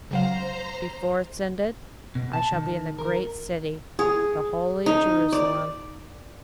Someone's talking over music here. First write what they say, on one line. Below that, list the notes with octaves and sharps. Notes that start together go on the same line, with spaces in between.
Before it's ended I shall be in the Great City--the Holy Jerusalem.'
C#3 F#3 C5 F5 A#5
B2
A5
D#3
A#4
G#4
D#4
D5